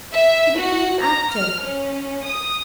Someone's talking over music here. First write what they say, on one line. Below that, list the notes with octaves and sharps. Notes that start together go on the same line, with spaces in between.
He became active.
E5
F#4
A#5
F6
C#4
D#6